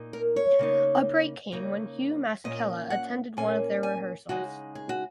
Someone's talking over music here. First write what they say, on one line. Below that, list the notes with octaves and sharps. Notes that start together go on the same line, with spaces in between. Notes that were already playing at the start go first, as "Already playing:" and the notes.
A break came when Hugh Masekela attended one of their rehearsals.
Already playing: A#2 A#3 D#4
A#4
C#5
C#3 A#3 D#4
C#3 A#3 D#4
A#2 A#3 C#4 D#5
F#5
A#2 A#3 C#4 G#5
G#5
C#3 G#3 D#4 F#4
G#4
F#4